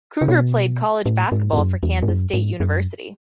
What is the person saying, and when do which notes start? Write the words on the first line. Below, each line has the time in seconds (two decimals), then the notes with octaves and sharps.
Kruger played college basketball for Kansas State University.
0.21 C#3
0.28 B2
1.06 A2
1.32 G#2
1.53 G#2
1.58 F#2
1.83 E2
2.02 G#2
2.08 F#2
2.34 G#2
2.60 F#2